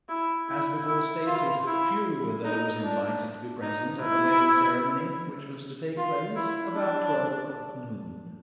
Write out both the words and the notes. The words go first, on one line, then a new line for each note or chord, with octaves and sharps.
As before stated few were those invited to be present at the wedding ceremony, which was to take place about twelve o'clock noon.
E4
E4
E4
F4
E4
D#4
D4
D#4
E4
F4
E4
D4